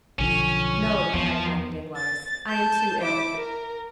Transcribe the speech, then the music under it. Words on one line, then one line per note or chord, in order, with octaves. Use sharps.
"No," replied Madame Danglars, "I am too ill."
B1 D3 F3 C#4
E2 F3 B3
A6
A5 G6
E4 D6
A#4